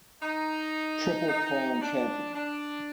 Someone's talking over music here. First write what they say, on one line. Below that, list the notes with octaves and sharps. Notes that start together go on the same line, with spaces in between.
Triple Crown Champion.
D#4
D#4
D4
D4